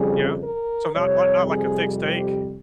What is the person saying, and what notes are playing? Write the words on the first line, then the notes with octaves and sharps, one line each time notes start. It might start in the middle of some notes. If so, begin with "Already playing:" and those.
Yeah. So not not not like a thick steak?
Already playing: F2 C#3 G3 G#4
A#4
F2 C3 G3 C#5
G#4
G4